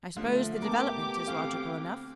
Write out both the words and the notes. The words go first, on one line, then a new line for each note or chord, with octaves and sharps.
I suppose the development is logical enough.
D3 F3 A3 F4
B3 G4 A#4 A5 D6
D2 C4 A4 F5